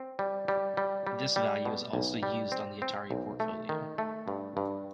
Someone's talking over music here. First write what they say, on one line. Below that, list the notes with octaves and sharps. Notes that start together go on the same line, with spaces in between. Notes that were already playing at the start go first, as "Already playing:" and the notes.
This value is also used on the Atari Portfolio.
Already playing: C4
G3
G3
G3
G3
G3
B2
B1
G3
C4
C4
B1
A3
D#3
A3
G2
G2